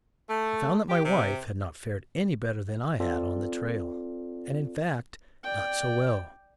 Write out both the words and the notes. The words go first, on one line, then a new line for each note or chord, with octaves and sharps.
I found that my wife had not fared any better than I had on the trail, and in fact not so well.
A3
G4
C3
C4 F4 A4 D5
D5 G5